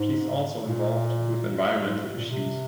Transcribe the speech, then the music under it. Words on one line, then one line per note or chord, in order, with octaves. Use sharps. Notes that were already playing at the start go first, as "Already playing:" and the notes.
She is also involved with environmental issues.
Already playing: G#2
A#2
G#2
A#2
C3